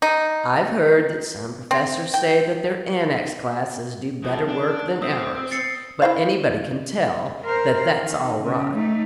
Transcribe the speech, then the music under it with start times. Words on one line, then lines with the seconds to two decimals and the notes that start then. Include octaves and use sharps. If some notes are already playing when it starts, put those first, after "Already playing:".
"I've heard that some professors say that their Annex classes do better work than ours,--but anybody can tell that that's all rot."
0.02 D#4
1.71 C4
2.14 G5
4.23 F2
4.48 D4
5.02 C4 D#6 E6
5.51 A6 C7 C#7
6.02 E4 C5 F5
7.45 A#4 C5
8.00 D#3
8.43 C#3
8.73 A3 D#4